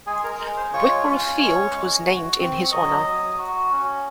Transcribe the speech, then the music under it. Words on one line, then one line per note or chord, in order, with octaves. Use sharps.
Whipple Field was named in his honor.
G#3 G#4 G#5
C6
A#4 A#5
G#3 A#4 A#5
C5 C6
F4 C#5 C#6
C#4
G#3 C#5 C#6
G#3
F#4
C4
C#6
F#3 D#5 D#6
F#3
F#4
C#4